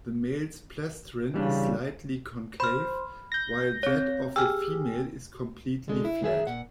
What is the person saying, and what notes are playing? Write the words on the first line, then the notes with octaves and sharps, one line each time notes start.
The male's plastron is slightly concave, while that of the female is completely flat.
C#3 E3 G3 D4
C5 B5 F6
G6 A#6
C4 C#5
G4 G#4 E6 F6
D3 G#3
E4
D2 D#3 G#4 E5
A#2 F#5